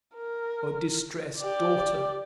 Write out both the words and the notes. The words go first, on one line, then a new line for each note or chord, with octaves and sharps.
Your distressed DAUGHTER.
A#4
G4 D5